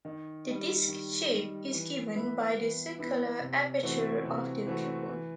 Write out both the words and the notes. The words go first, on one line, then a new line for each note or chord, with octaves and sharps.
The disk shape is given by the circular aperture of the pupil.
D#3
G3 D#4
D#3
G3 D#4
E3
B3 E4 B4 E5
E3
B3 E4 B4 E5
C3
E3 A3 C4 F#4
C3
E3 A3 C4 F#4
E3